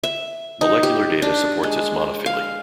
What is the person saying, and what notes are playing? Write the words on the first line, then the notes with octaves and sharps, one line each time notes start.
Molecular data supports its monophyly.
E5
D#4
G4
D4
G#3
F5